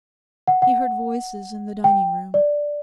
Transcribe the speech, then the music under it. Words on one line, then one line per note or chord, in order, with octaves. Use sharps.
He heard voices in the dining-room.
F#5
F#5
G5
D5